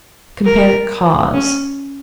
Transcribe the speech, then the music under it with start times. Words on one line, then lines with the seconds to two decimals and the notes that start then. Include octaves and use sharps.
Compare CAUSE.
0.45 A#4
1.33 C#4